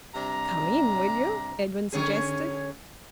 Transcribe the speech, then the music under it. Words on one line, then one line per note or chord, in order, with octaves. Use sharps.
"Come in, will you?" Edwin suggested.
C3 G3 D4 A#5
D3 C#4 G#4